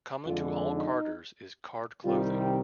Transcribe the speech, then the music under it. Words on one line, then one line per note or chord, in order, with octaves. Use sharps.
Common to all carders is card clothing.
F2 D3 G#3 F4
D#4
C2 C3 D#3 G3 C4 F4